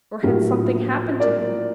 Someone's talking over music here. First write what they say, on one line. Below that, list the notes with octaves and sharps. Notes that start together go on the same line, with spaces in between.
Or had something happened to him?
A#1 A2 F#3 G4 A#4
A#4 D5